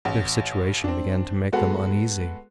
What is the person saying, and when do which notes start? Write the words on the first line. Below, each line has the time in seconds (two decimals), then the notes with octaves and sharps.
Their situation began to make them uneasy.
0.05 A1
0.84 C4 D4
1.53 G#3 B3 F#4 A4 B4 F#5